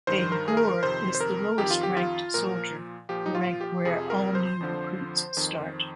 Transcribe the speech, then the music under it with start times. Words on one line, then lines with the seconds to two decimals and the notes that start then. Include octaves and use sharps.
A gorr is the lowest-ranked soldier, the rank where all new recruits start.
0.07 G2 D#3 C5
0.32 A#4
0.48 G#4
0.57 A#4
0.83 F2 C3 D#3 C5
1.15 C5
1.21 A#4
1.58 F2 D#3 G4
1.71 F4
1.83 G4
1.97 F4
2.34 A#2 F3 A#4
3.09 A#2 F3 G4
3.26 D#4
3.35 F4
3.61 G4
3.85 F2 C3 F3 G#4
4.10 A#4
4.35 C5
4.61 F2 D3 F3
5.37 F2 D#3